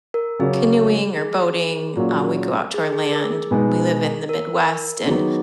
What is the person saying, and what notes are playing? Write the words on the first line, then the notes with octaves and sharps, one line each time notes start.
canoeing or boating, um, we go out to our land. We live in the Midwest, and
A#4
C#3 F#3 C#4 G#4
G#4
A#2 F#3 C#4
G#4
G#4
G#4
A#4
G#4
B2 G#3 B3 D#4
A#4
D#3 F#3 B3 D#4 G#4